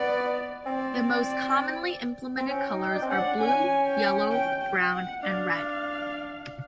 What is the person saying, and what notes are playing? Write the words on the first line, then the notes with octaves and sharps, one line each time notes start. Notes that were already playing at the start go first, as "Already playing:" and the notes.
The most commonly implemented colours are blue, yellow, brown, and red.
Already playing: B3 D5
C4 D5
C4
C#4 G5
D#4
G5
D4
C4
C#4 F#5
D4
C#4 G#5
G5
G5
G5
F#5
D4 F5